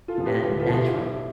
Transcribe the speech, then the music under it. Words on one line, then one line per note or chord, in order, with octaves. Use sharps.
and natural,
F4 A4
C3 F3
G4 B4
D2 G4 B4
F4 A4
D3 F3
E4 G4
B1